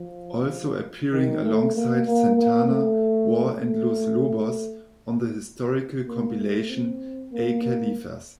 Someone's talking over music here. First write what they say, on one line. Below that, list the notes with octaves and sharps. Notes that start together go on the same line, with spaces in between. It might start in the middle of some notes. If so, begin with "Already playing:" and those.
Also appearing alongside Santana, War, and Los Lobos on the historical compilation Ay Califas!
Already playing: F3
D#3
A3
A#3
A#3
A#3
A3
A3
A#3
A3
C4
A#3
A#3